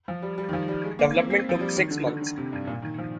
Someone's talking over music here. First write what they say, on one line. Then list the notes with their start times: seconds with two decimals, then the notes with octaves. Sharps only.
Development took six months.
0.08 F3
0.22 G3
0.38 G3
0.49 D#3
0.53 F3
0.68 G3
0.84 G#3
0.99 A#3
1.15 C4
1.30 C4
1.49 F3
1.60 G3
1.76 D#3
1.91 D3
2.06 D3
2.21 D3
2.37 C3
2.52 G2
2.67 A#2
2.82 D#3
2.98 F3